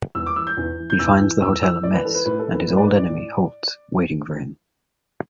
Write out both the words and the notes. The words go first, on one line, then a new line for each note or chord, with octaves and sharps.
He finds the hotel a mess and his old enemy, Holtz, waiting for him.
E2 E6
D6
E3 E6
G6
E2
E3
G6
E2 E6
E3
E2 E6
E3 E6
A2 D5
B4
E3 A4
B4
A2 B4
A4
E3
B4
A2 B4
D5
B4
E3
D5
A2